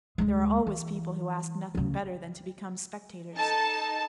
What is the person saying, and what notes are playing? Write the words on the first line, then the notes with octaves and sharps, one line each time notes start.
There are always people who ask nothing better than to become spectators.
D2 G#3
E3
D2 C#3
D#4 A4 A5